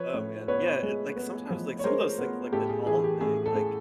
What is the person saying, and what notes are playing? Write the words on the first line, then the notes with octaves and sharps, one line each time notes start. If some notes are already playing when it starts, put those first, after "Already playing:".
Oh, man. Yeah, it like sometimes, like, some of those things, like, the doll thing, like
Already playing: F3 B4 C#5
A2
B3 B4 C#5
G#3
B3
F3
C#5
G#3 A#4 C5
B3
A2 G4 A4
G#4
E3 G#4
G4
A2 G#4
A4
A2 G#4